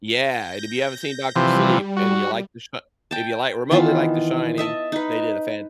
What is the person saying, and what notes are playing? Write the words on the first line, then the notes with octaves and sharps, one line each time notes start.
Yeah, and if you haven't seen Doctor Sleep and you like The Shi if you like remotely like The Shining, they did a fan
G6 A#6
C3 E3 F3 G3
F#4
G5 A5
D#3 E3 B3 F4
D#5 E5 A5
D#4 B4